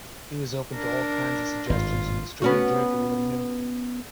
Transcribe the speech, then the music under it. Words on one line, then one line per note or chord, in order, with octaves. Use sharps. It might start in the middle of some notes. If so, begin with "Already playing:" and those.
He was open to all kinds of suggestions, and distributed joyfully what he knew.
D4 A#4
G#1 G2 F4
B3 C#4 F#4